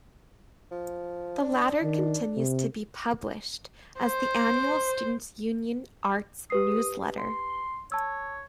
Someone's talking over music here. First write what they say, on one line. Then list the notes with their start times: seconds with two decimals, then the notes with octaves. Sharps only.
The latter continues to be published as the annual Students' Union arts newsletter.
0.71 F3
1.41 D4
1.82 D#3
2.37 C3
4.01 C5
6.50 G4 B4 D#6 C7
7.18 C6
7.92 C#5 A5 E6